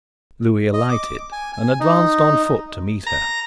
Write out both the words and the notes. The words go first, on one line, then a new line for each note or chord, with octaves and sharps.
Lewis alighted and advanced on foot to meet her.
D#5
D6
G#5
G#5
D#4
A#5